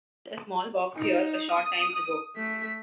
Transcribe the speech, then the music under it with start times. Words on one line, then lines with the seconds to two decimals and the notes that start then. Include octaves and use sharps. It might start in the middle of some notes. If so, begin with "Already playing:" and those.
I deposited a small box here a short time ago.
0.97 D#4
1.52 D#6
2.36 A3 B6